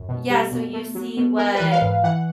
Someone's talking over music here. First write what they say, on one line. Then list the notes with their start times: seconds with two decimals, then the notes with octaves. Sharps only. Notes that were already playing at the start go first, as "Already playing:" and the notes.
Yeah, so you see what
Already playing: F#2
0.08 B2
0.30 G3
0.52 B2
0.73 A3
0.95 F#3
1.17 B2
1.38 G#3 A#4
1.55 B4
1.60 E3
1.72 F5
1.82 G#2
2.04 E3 F#5